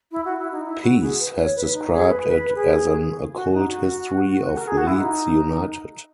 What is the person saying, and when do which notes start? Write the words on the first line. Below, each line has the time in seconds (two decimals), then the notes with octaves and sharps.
Peace has described it as an "occult history of Leeds United".
0.12 E4
0.25 F#4
0.39 E4
0.52 D#4
0.65 E4
0.83 F#4
1.01 G#4
1.20 B4
1.37 C#5
1.56 B4
1.74 D#4
1.91 G#4
2.09 B4
2.27 B4
2.55 G#4
3.35 F#4
3.53 D#4
3.71 F#4
4.57 A#4
4.67 G#4
4.78 F#4
4.87 E4
4.98 D#4